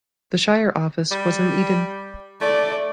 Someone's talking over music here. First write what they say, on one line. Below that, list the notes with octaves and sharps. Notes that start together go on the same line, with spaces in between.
The shire office was in Eden.
G3
A3 D5